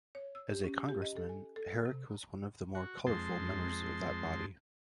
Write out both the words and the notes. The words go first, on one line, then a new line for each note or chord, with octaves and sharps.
As a Congressman, Herrick was one of the more colorful members of that body.
C#5
E6
G4
C#4
G4
D#5
A4
G#5
A4
C3
F#4
F2 G#3 A5 C6